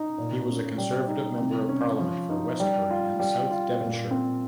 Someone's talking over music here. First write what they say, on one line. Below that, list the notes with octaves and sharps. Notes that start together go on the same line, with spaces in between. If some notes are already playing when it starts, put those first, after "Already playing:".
He was Conservative Member of Parliament for Westbury and South Devonshire.
Already playing: D#4
A#2
C#4
G3
D#4
C3
C#4
F3
D#4
G3
F4
G3
F4
A#2
C4